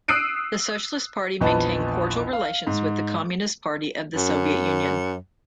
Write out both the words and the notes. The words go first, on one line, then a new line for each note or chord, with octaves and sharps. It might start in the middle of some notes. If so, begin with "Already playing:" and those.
The Socialist Party maintained cordial relations with the Communist Party of the Soviet Union.
D#6 E6 F#6 C7 D7 D#7
A#1 E2 F3 B4 D#5 A5
F5
G#2
F#2